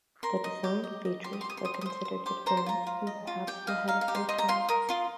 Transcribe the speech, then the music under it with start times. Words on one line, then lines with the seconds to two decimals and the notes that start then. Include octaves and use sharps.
The design features were considered advanced and perhaps ahead of their time.
0.23 A#4 C6
0.44 D#5
0.64 G4
0.84 D#5
1.05 D#5
1.24 G4 C6
1.33 D#6
1.41 C6
1.44 G4
1.50 D#6
1.57 C6
1.65 C5 D#6
1.74 C6
1.81 D#6
1.86 C5 C6
2.05 C5
2.26 G4 C6
2.46 C5 A#5
2.57 C6
2.66 F4 A#5
2.87 F4
3.07 D#5
3.27 F4
3.47 G4 G5
3.67 D#5 F5
3.88 D#4 F5
4.01 F5
4.08 G4
4.15 C6
4.29 D#5 C6
4.38 A#5
4.48 F4 C6
4.69 A#4 D#6
4.89 F4 C6